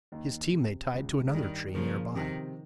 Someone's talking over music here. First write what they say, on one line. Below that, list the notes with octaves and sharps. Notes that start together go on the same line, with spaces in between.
His team they tied to another tree near by.
D#2 D#3
C3
C#2 C#3
G#3
G2 D#3 G3
A#2 C#3 F3 A#3
C3 D#3 C4